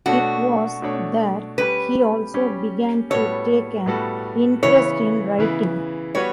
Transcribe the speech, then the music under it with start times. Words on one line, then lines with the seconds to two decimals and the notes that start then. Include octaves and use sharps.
It was there he also began to take an interest in writing.
0.06 B2 A3 D4 F#4 A4 C#5
0.82 B2 A3 D4 A4 C#5
1.58 G3 C#4 G4 B4
2.34 G3 C#4 G4
3.10 A2 G3 B3 F#4 A4 C#5
3.86 A2 G3 B3 F#4 A4
4.63 C#3 E3 B3 E4 C#5
5.38 C#3 E3 B3 E4
6.15 G3 B3 F#4 B4 C#5